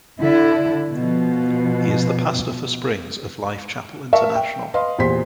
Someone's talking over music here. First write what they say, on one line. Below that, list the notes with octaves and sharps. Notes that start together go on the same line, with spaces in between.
He is the pastor for Springs of Life Chapel International.
D3 E4
B2 F3
A#4 E5 F5 A5 C#6
G5
B4 D#5 F5 C6
E2 A#2 G4 C5 C6 B6